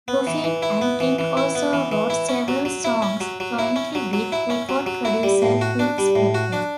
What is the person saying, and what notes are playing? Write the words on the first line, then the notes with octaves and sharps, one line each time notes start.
Goffin and King also wrote several songs jointly with record producer Phil Spector.
B3
E3
E3
E4
B3
E3
E3
E4
B3
E3
E3
E4
C#4
F#3
F#3
E4
C#4
F#3
F#3
E4
C#4
F#3
F#3
E4
C#4
F#3
F#3
E4
G3
A2
F#4
D4
G3
A2
F#4
D4